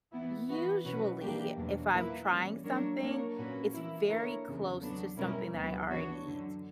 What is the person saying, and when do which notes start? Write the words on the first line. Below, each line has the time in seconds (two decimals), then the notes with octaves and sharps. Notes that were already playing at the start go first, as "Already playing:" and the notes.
Usually, if I'm trying something, it's very close to something that I already eat.
0.13 E3 B3 E4
0.49 E3 B3 F#4 B4
0.84 B2 F#3 C#4 F#4 B4
1.21 E3 G3 A#3 D4 G4
1.56 E2 B2 F#3 A#3 D4
1.93 A#2 A#3 E4 B4
2.29 E3 G3 C#4
2.64 F#3 A#3 D4 A#4 C#5
3.01 F#3 A#3 D4 A#4 C#5
3.37 A#2 A#3 C#4 F#4 B4
3.73 E3 A#3 E4
4.08 D3 A#3 E4 A#4 C#5
4.45 E2 C#3 E3
4.81 D3 F#3 B3 D4
5.17 B2 G3 C#4 E4 A#4
5.54 D2 C#3 F#3 B3
5.89 E3 B3 D4 F#4 C#5
6.26 F#2 D3 F#3